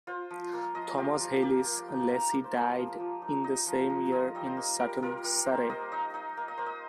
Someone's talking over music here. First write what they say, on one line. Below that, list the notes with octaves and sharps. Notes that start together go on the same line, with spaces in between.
Thomas Hailes Lacy died in the same year in Sutton, Surrey.
F4 C5
F3
A#3
F3 D#5
F4 G4
F3
A#3 G4
A#3
D#4
G4
D#4 A#4
A#3
C5
A#3 A#4
C5
F3
F3
D#4
D#4 D#5
F3
F5
F3
F4 D#5
G3 D#5
C5
A#3
G3 A#4
F4 A#4
G3 A#4
A#3 C5
A#3 D#5
D#4 D#5
D#4 D#5
A#3
D#5
A#3 C5
D#5